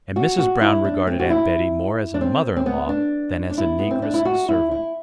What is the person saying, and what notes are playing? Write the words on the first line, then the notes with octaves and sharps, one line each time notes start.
And Mrs. Brown regarded Aunt Betty more as a mother-in-law than as a negress servant.
F#4
F#4
E4
D4
C4
F#4
E4
D4
C4
C4
B3
D4
D4
E4
B3
C4
D4
E4
F#4
E4
E4